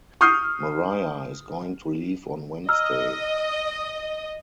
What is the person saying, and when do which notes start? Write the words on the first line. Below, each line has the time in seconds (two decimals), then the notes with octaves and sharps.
Maria is going to leave on Wednesday.
0.21 C#6 D#6 F6 G6 C7
2.69 D#5 A#5 E6 F6